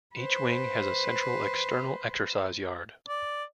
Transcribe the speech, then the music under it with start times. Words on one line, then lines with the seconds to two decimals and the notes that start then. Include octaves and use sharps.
Each wing has a central external exercise yard.
0.16 B4 C5
3.08 D5